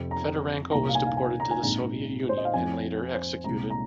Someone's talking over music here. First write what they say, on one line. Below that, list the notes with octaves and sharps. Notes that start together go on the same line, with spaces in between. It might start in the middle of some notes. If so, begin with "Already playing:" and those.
Fedorenko was deported to the Soviet Union and later executed.
Already playing: F2 C3 F3 C4
A#5
C2 A#2 A#3 A#5
F5
G#5
F5
G#5
A#5
G#5
A#1 G#2 G#3 C4 A#5
C5
D#5
F5
F2 F3 C4 G#5
C5
C2 A#2 G#3 C4 A#5
A#5